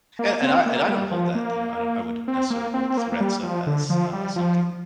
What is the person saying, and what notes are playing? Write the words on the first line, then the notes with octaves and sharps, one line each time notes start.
and and I and I don't hold that, you know, I don't I wouldn't necessarily hold threats up as, uh, something that,
A#3
C4
A#3
G3
F3
A#3
C4
A#3
C4
C4
A#3
A#3
G3
F3
D3
F3
G3
F3